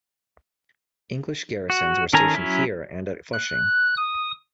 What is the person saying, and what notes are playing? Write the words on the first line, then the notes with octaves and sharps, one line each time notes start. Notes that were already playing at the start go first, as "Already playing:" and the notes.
English garrisons were stationed here and at Flushing.
F#4
D#3 C#4 A4 G#5 A#5
F#3 C#4 E4
F#6
D#6